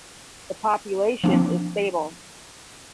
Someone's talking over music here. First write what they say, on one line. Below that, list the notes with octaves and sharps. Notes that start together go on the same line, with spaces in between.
The population is stable.
F3 A#3 C4 D4